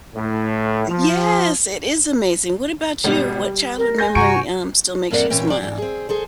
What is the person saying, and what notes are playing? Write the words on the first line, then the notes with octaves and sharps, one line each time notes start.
Yes! It is amazing, what about you? What childhood memory, um, still makes you smile?
A2
F3
G#1 B2 G3
G3
A#4
G#5 G6 A#6
G2 C3 F#4 G#5 A#5 C#6 D7
F2 A2 A#3 F4 D5 F#5
A#2 E3 C#4 G5
F3 D5
G#2 E3
C4 G#4
G#4 A4 C5